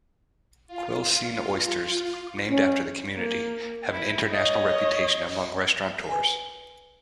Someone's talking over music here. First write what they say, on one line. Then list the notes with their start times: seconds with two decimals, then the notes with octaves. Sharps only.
Quilcene oysters, named after the community, have an international reputation among restaurateurs.
0.67 F4
2.49 C#4
3.15 A#3
3.92 E4
4.30 C#5 D#5
6.09 B4 G#5